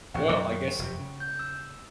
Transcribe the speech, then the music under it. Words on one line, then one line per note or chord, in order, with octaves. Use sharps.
Well, I guess
A1 G#2 F#5 G5 C#6
F#2 B2 D#3
F1 F#2 C3
C#3
G6
E6